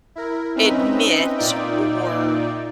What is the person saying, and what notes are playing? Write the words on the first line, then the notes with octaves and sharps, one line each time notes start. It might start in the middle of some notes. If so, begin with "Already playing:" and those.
admit or
E4 A#4
C4 C#4 D#4 B4 D#5 E5
A#2 D#4 F4 D5 E5 G5